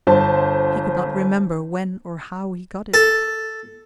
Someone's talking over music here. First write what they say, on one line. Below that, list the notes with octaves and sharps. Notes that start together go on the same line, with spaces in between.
He could not remember when or how he got it.
G1 C5 A5
A4